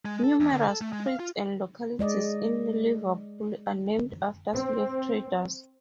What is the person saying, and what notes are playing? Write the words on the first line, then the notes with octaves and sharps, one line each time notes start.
Numerous streets and localities in Liverpool are named after slave traders.
G#3
A4
E2
D3
A4
A3
G#3
F5
F4
G#3 D5 D#5
C4